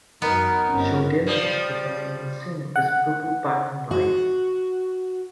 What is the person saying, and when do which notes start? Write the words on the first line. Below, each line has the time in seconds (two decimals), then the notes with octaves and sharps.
Show dancers performing in sync with purple background lights.
0.22 F#2 B3 D#4 A#4
0.66 G1 C4 C#4
1.26 F3 G3
2.76 F#5
3.91 F#4